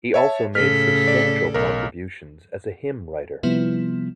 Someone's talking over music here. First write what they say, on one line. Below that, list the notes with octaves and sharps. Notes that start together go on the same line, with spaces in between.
He also made substantial contributions as a hymn writer.
C#5 E5 A5
A2 C#3 A4 F6 B6
D5
B1 A#4
C3 F3 G3 B3 E4